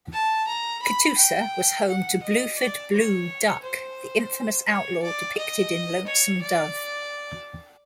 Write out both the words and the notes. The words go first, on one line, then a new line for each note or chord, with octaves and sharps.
Catoosa was home to Bluford "Blue" Duck, the infamous outlaw depicted in "Lonesome Dove".
A5
A#5
B5
G5
F#5
D#5
D5
C#5
C5
C#5
D5
D#5
C#5
D5